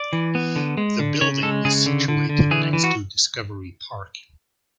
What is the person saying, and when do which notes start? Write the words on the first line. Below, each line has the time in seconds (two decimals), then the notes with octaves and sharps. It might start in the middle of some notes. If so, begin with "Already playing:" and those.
The building is situated next to Discovery Park.
Already playing: D5
0.13 E3
0.35 B3
0.56 D3
0.77 G#3
1.00 D3
1.21 C#3 C#5
1.43 G#3 A4
1.65 C#3 G#4
1.86 D3
2.08 D3
2.29 D3
2.51 E3 G#4
2.73 E3
2.84 F#4